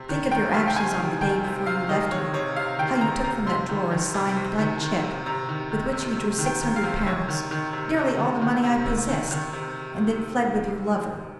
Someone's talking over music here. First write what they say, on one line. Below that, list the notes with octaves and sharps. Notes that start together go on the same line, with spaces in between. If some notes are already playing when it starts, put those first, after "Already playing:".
Think of your actions on the day before you left me; how you took from that drawer a signed blank cheque, with which you drew six hundred pounds,--nearly all the money I possessed,--and then fled with your lover.
Already playing: C3
D#3
D#3 G5
C3 F5
G5
C3 G#5
D#3
D#3 G5
C3
C3 F5
D#3 D#5
D#3 C#5
C3 C#5
C3 F5
D#3 G5
D#3 A#5
C3 A#5
C3 C6
D#3
D#3
C3
C3
D#3
D#3
C3
C3 A#5
D#3
D#3
C3
C3
D#3
G5
D#3
F5
C3
C3 C#5
D#3
D#3
C3
C3
D#3
D#3
C3
C3
D#3
D#3
C3